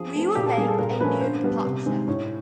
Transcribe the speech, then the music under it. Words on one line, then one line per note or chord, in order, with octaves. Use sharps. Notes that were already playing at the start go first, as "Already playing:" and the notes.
We will make a new departure.
Already playing: F3 G#4
A3 C4
A#2 G4
A4
G3 A#3 G#4
A4
A#2 A#4
F3 A3 C#4 B4
D3 C5
G3 B3 D4
C3
D#3 G#3 C4
A2 C#5